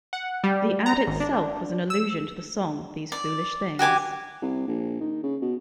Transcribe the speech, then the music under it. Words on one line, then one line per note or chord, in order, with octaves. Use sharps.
The ad itself was an allusion to the song, "These Foolish Things".
F#5
G3
A#5
G#1
D4
E6
D5
F#4 G4 G#5 D6
C2
A#1
D#3
C#3
B2